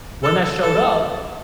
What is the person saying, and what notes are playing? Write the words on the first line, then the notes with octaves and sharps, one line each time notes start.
when that showed up,
A4
A4